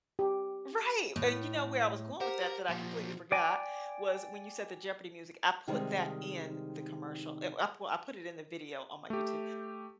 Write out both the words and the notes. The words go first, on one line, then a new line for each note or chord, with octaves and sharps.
Right, and, you know, where I was going with that, that I completely forgot was when you said the Jeopardy music, I put that in the commercial. I I p I put it in the video on my YouTube,
G4
A2
G4 A#4 C5 F#5
A#2 F3
D5 G5 G#5 D6
C3 D#3 G3 G#3
A3 G4